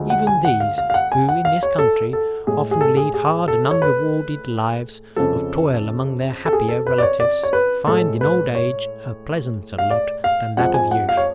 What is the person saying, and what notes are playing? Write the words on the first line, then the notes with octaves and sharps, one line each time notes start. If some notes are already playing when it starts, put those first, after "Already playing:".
Even these, who in this country often lead hard and unrewarded lives of toil among their happier relatives, find in old age a pleasanter lot than that of youth.
Already playing: D2 D3 F3 G#3
F#5
G#5
F#5
F5
F5
F5
F#5
G#5
F#5
F5
C#5
A4
A4
A2 G#3 G#4
G#4
A4
G#4
G#4
A4
C#5
B4
F2 C#3 F3 A4
A4
G#4
A4
B4
D5
C#5
D5
C#5
B4
A2 G#3 A4
B4
C#5
F5
D5
F5
F2 F3 G#3 F#5
G#5
F#5
F5
C#5